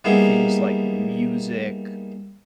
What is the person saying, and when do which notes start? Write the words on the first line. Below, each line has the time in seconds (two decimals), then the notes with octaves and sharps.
things like music
0.04 G3 A#3 B3 D#4 E4 G#4